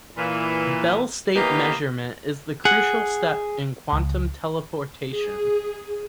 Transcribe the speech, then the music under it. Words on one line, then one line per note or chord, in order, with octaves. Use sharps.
Bell-state measurement is the crucial step in quantum teleportation.
A#2 E3
E3 A#3 B3 C#4 G4 D#5
G#4 F#5
C#2
G#4